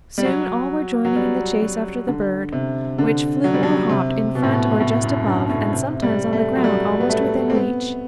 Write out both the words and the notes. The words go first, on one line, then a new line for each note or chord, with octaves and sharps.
Soon all were joining in the chase after the bird, which flew or hopped in front or just above, and sometimes on the ground almost within reach.
G3
F#3
F#3
G3
F#3
D3
C3
D3
F#3
G3
F#3
C3
B2
A2
B2
A2
F#2
G2
A2
C3
G3
A3
F#3
G3
B3
A3
C4
B3